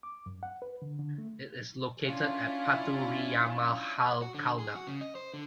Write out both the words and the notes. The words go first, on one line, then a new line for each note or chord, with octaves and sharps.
It is located at Pathuriyamahal, Kalna.
D6
F#2
F#5
B4
D3
D3
A3
C#4 D4 E4 F4
F#4
D3
G#4
F#4
C#3
D#5
C5
D3